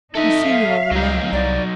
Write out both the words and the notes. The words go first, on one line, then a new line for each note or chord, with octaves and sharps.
I see you are alone.
D#4 A4 D#5 E5
F5
C#2 F#3 D#4
C2 D5